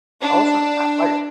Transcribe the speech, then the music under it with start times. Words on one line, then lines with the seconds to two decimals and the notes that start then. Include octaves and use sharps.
I wasn't uh, like
0.22 D4